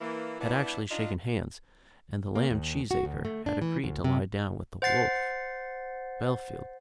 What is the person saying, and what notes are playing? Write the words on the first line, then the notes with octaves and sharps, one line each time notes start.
They had actually shaken hands, and the lamb Cheesacre had agreed to lie down with the wolf Bellfield.
E3 A#3
B3 D4 E4
D4 D#4 F4
A#3
D#2
F#4
D2
A3
D4
E3
D2
C3
C5 F#5 A6 C7